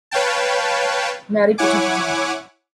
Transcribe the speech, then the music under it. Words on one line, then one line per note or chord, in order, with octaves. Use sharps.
Mary put her foot into it.
B4 C#5 F5 G5 A5
E4 C#5 F#5 G#5 D6